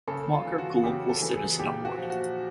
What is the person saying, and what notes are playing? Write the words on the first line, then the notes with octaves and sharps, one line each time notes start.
Walker Global Citizen Award.
C#3 A4
F4
E3
F#4
C#3 G4
A4
E3
G#4
A#2 G4
F#4
F3
F#4